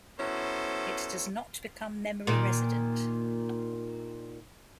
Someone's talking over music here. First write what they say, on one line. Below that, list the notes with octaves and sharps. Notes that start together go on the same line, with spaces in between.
It does not become memory resident.
F#3 B3 C#4 E4 A4 C5
A#2 D#3